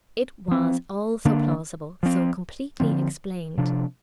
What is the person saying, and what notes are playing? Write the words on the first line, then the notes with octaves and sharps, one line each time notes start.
It was all so plausible--so completely explained.
F3 C4
D3 A#3 D4
F3 C4
D3 F3 C4
C3 F3 D4